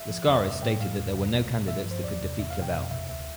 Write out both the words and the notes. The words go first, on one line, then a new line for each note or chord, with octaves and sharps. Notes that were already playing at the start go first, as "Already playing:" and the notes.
Laskaris stated that there were no candidates that could defeat Clavelle.
Already playing: E5
F3
E2 D5
E5
C3
E5
A2 G5
G3 F5
E2
C3
C2
B2
G2 E5
F3
C5
E2 D5
C3
E2 E5
F5
B2
G5
F2 F5
C3 E5
D2 E5